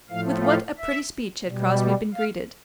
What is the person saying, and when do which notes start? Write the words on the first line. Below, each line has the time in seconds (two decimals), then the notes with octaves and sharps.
With what a pretty speech had Crosbie been greeted!
0.10 A2 F3 A3 F5
0.45 F5
0.78 E5
1.46 B2 G3
2.14 F5